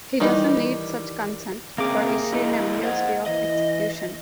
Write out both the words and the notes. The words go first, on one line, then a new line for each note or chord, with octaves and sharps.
He doesn't need such consent for issuing a mere stay of execution.
D#3 E3 G3 D#4
C3 A#3 C4 C#4 G#4 D6
F2 E4 D#5
C5 D#5 F#5
E3 D#5